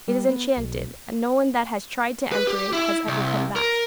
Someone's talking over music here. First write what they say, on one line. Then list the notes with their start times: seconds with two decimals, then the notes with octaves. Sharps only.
'It is enchanted, and no one that has tried to enter it has ever come back.'
0.08 G3
0.29 B3
0.57 B1
2.32 B4
2.47 G4
2.73 E4
3.07 C2
3.56 A#4